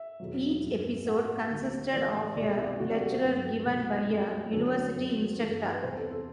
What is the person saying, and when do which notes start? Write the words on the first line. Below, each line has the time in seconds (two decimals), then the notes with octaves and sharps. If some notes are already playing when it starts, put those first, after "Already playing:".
Each episode consisted of a lecture given by a university instructor.
Already playing: E5
0.20 E2 B2 F#3
0.64 G2 F#3
1.06 A2 G3 F#5
1.50 D2 D3 G3
1.92 A2 E3 G3 D5
2.36 C2 B2 G3 D5
2.51 E5
2.65 D5
2.79 D2 C3 F#3 F#4
2.91 G4
3.01 A4
3.12 C5
3.22 G2 F#3 B4
3.44 A4
3.66 C2 B2 F#3
4.10 F#2 F#3
4.53 D2 D3 F#3 A4
4.96 F#2 F#3
5.39 G2 E3 G3 A4
5.50 A4
5.72 B4
5.83 E2 C3 G3 C5
5.97 A4
6.11 A4